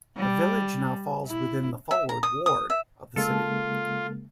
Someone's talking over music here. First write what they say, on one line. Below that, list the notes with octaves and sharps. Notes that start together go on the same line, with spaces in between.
The village now falls within the Fulwood ward of the City.
G3
E4
E5
A#5
D#6
D#6
E5
C#3 G#3 A#3 F4 A4